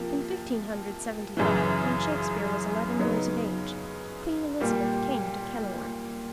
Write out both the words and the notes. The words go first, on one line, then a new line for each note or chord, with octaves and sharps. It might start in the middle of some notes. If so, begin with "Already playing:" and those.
In Fifteen Hundred Seventy-five, when Shakespeare was eleven years of age, Queen Elizabeth came to Kenilworth.
Already playing: C3 F3 A#3
F#2 C#3 E3
C#3 F#3 B3 D#4
A#2 G3 A#3